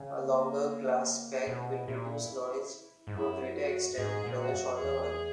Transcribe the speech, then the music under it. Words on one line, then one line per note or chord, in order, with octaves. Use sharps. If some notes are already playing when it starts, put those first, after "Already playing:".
A longer glasspack will reduce noise to a greater extent than a shorter one.
Already playing: C#3
A#3
B2 E4
A#2
G#2
F#2 E4
F#4
G#2 G#4
A#2
F#4
F#2
E2 G#4